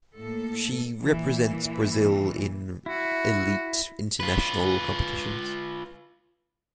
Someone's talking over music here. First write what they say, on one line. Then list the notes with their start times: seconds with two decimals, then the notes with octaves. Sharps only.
She represents Brazil in elite international competitions.
0.18 A2 A#3 A4
1.01 A#2 E3
2.86 E4 F#4
4.20 F4 B4